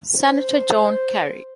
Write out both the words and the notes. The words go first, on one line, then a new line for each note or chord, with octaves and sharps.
Senator John Kerry.
C5